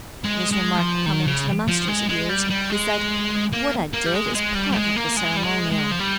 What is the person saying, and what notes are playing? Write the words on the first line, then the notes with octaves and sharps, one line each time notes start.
This remark coming to the Master's ears, he said, "What I did is part of the ceremonial!"
G#3
G#3
F3
D#3
C#3
F3
G#3
G#3
G3
G3
G#3
A#3
A#3
G3
G#3
G#3
G3
G3
G#3
A#3
G#3
G3
G#3
G#3
F3
G3